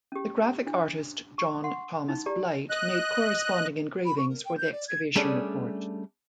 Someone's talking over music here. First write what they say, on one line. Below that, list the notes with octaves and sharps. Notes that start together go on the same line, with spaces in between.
The graphic artist John Thomas Blight made corresponding engravings for the excavation report.
C#4 G4
D4
C#6
F#5 C6
D#4
G4 D5 A#5
D#5 F#6
B5
C#6
A#4
G5
G6
D5
G#6
G3 A3 C#4 D4 G#4